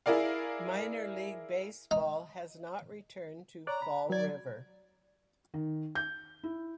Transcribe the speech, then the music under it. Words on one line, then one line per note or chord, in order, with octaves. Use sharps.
Minor league baseball has not returned to Fall River.
E4 G#4 A#4 D5 F5
D#4
C#5 D5 A#5 F#6
B5
F#3 D5 G#6
D#3
G6
E4